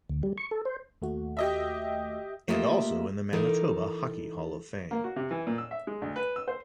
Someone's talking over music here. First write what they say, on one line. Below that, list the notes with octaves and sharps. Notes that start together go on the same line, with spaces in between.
And also in the Manitoba Hockey Hall of Fame.
D2
G3
C#6
A4
C5
D#2 A3 F#4
G4 D#5 E5
A3 A#3 F4 G4 D#5 E5
E3 D#4 A4 A#4 D5
A#3
F#4
C3
E3
A#2
E6
E5
G#3
D2
B4
E6
C5